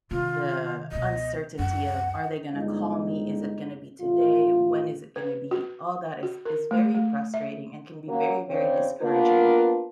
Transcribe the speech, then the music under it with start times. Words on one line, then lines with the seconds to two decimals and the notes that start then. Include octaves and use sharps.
the uncertainty of, "Are they gonna call me? Is it gonna be today? When is it going to be?" All that is is very frustrating and can be very, very discouraging.
0.11 C3 D#3 F4
0.92 C#2 B2 D#5
1.59 C#2 F#2 F#5
2.55 G1 G#3 D#4
4.00 A1 F4
5.16 B4
5.51 F#4
6.23 F#4
6.45 A#4
6.71 A3
6.95 A3
7.34 E5
8.07 F#3 A#3 C#4
8.49 E2 C#3 C4 D4 C#5
9.01 A#3 B3 D4 F4 A#4 B4